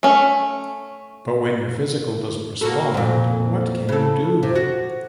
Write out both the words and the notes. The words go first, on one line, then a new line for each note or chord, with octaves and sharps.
But when your physical doesn't respond, what can you do?
A3 C#4
A#3 F#4 A4
F2 A#2
C#3 A4
C3
F#4